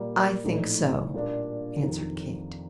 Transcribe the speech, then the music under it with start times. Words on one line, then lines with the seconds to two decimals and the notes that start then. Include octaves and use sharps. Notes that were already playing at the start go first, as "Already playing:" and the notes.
"I think so," answered Kate.
Already playing: A#2 G3 A#3
0.44 A#1 A2 A3 D#4
1.14 A#2 G3 A#3 D4 F4
1.83 F2 C3 D#3